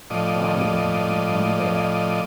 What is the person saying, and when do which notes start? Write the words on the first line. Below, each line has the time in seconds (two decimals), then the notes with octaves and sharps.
Why, then, had he come there?
0.10 A2 F3 D5 D#5